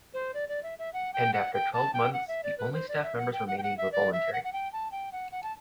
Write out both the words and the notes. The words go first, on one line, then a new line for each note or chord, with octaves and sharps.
And after twelve months, the only staff members remaining were voluntary.
C5
D5
D5
E5
E5
F#5
G5
F#5
G5
A5
G5
F#5
E5
D5
B4
C5
D5
E5
F#5
G5
F#5
G5
F#5
E5
D5
E5
F#5
F#5
G5
A5
G5
F#5
F#5
A5